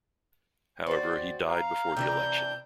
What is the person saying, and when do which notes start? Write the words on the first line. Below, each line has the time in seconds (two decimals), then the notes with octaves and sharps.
However, he died before the election.
0.87 C4 F#4 D5
1.48 F5 A#5
1.97 C3 E3 D4 G6